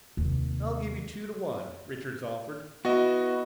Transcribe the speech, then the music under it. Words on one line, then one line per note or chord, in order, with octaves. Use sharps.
"I'll give you two to one," Richards offered.
D#2 C3
B3 E4 F#4 D#5